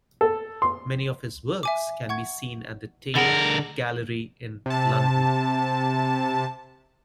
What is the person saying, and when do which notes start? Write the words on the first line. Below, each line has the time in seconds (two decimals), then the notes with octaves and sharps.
Many of his works can be seen at the Tate Gallery in London.
0.21 A4
0.62 C6
1.63 E5 G#5 D6
2.09 F#5 C#6 G#6
3.15 D3 G#4 A#4 F#5 B5
4.66 C3 A5